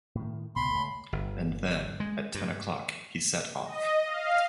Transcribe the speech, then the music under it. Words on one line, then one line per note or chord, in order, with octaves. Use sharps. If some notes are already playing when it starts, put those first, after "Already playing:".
And then, at ten o’clock, he set off.
A2 D#3
C#2 B2 B5 C6
C#2 A3
G1
G#3
G2
D#5
F5